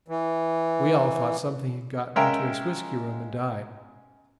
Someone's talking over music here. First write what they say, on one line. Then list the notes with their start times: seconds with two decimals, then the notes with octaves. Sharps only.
We all thought something had got into his whiskey-room and died.
0.08 E3
2.16 G#3 C#4 A#4 E5 F5 G5